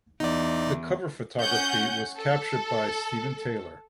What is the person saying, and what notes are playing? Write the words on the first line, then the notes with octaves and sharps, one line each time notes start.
The cover photography was captured by Steven Taylor.
E2 D#4 D5
C#4 F#5 G6
A4